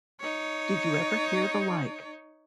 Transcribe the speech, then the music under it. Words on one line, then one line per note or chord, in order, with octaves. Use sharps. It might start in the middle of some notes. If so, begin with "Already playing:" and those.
Did you ever hear the like?
D#4 C#5